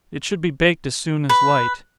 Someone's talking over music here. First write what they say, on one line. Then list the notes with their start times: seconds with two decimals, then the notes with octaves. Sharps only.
It should be baked as soon as light.
1.29 B4